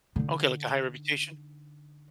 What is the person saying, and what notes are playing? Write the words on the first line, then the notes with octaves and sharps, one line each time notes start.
Okay, like, a high reputation?
D3 D#4